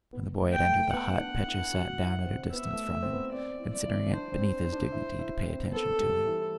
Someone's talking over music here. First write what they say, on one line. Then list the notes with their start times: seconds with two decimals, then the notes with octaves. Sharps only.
When the boy had entered the hut, Petya sat down at a distance from him, considering it beneath his dignity to pay attention to him.
0.13 B3
0.39 A3
0.53 G5
0.66 A3
0.93 B3 F#5
1.19 D4
1.46 E4
1.73 F#4
1.99 E4
2.26 C4
2.53 B3 E5
2.73 A3
2.93 A3
3.03 C4
3.13 B3
3.32 C4 D5
3.59 E4
3.73 D5
3.86 E4
4.12 D4 C5
4.32 C4
4.72 D4
4.92 E4
5.19 E4
5.46 C4
5.72 B3 A4
5.99 G3
6.26 E3